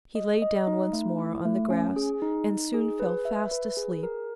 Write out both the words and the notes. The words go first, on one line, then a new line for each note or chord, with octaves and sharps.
He lay down once more on the grass and soon fell fast asleep.
D#5
D#5
D#4
A3
E4
A3
C#4
G#4
D#4
D#4
G#4
B4
E5
B4
G#4
A#4